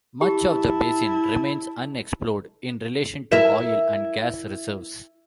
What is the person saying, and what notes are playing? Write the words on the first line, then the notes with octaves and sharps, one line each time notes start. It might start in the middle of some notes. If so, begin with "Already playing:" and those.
Much of the basin remains unexplored in relation to oil and gas reserves.
E4 G4 A5
E4 A#4 E5